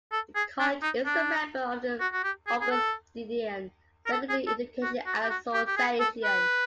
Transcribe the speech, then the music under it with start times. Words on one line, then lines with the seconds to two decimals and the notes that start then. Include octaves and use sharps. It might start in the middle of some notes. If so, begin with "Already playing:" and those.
The college is a member of the Augustinian Secondary Education Association.
0.12 A4
0.36 G#4
0.59 D4
0.83 D#4
1.06 D4
2.00 F#4
2.13 F#4
2.24 G4
2.47 G#4
2.61 G#4
2.71 A4
4.07 A#4
4.12 A4
4.29 G#4
4.47 A4
4.83 F#4
5.06 F#4
5.24 G4
5.30 F#4
5.54 G4
5.67 G4
5.77 G#4
6.00 A4
6.24 B4